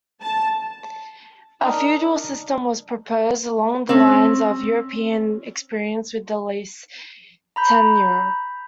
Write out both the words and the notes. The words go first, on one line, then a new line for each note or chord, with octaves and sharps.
A feudal system was proposed, along the lines of the European experience with lease-tenure.
A5
D4 D#4 A#4
C4 C#4
A#5 B5 G6